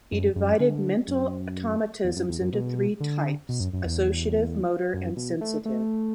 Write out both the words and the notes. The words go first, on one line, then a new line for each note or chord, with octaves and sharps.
He divided mental automatisms into three types: associative, motor and sensitive.
F#2
F#2
D3
F#2
E2
F#2
E2
F#2
B2
D3
B2
F#2
F#2
E2
F#2
B2
A3
A3